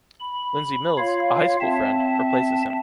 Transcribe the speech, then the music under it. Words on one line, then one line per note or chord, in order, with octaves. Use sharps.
Lindsey Mills, a high school friend, replaces him.
B5
F4 C#5 F5
C4 E5 A5